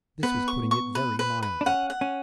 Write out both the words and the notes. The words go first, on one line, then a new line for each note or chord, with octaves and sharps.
This was putting it very mildly.
B3 B4
C#6
C#6
B4
B4
B4
D4
C#4 F#5
F#5
C#4